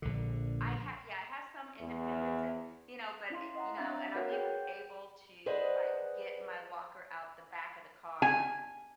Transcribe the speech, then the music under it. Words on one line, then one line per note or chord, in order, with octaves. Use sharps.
I ha yeah, I have some independence and, you know, but e you know, and I'm even able to, like, get my walker out the back of the car
A#1 D3
E2
C#4 E4 F5 C6
D#5 F#5 A#5
C4 D4 E5 F5 A6
F#4 A#4 B4 C#5 F#5
G#4 G5 G6
G#4 B4 C5 D5 D#5 F#5
G#5